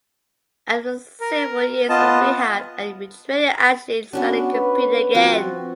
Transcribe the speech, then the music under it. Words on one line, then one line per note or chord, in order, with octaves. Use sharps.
After several years of rehab and retraining Ashley started competing again.
A#4
B3 F4 D#5 A5
B3 C#4 D4 F#4
B4
F3 C4 F#4